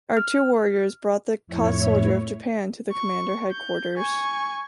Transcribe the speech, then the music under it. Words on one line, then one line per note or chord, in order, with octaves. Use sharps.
Our two warriors brought the caught soldier of Japan to the commander headquarters.
F6
F2 A2 E4 C#5
C#6
G6
G#5 C#6